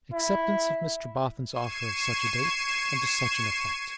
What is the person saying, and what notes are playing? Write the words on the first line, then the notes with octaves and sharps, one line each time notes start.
Acceptance of Mr Boffin's offer of such a date, and to such an effect.
E4
C#6 G#6 C7 D#7 E7